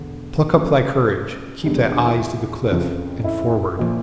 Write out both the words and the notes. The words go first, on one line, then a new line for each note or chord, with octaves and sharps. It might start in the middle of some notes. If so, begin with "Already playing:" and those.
Pluck up thy courage, keep thy eyes to the cliff, and forward.'
Already playing: E1 D3
C#2 C#3 F3 A3
E2 D3 G3 D4
C#4
D4
E4
F2 C#3 F3
E4
A#2 F3